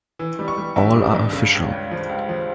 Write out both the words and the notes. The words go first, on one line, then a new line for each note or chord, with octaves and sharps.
All are official.
E3
G3
C#6
G3
G2 E5
G3
G2
C#3
C#2
C#2
F3
C#2
F3